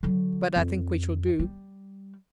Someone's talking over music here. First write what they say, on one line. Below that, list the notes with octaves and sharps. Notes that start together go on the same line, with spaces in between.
But I think we shall do.
D3 F#3
F2
G3